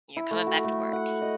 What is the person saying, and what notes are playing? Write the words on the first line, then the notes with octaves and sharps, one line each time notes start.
You're coming back to work.
E4
A3
F#4
A3
F#5
D#5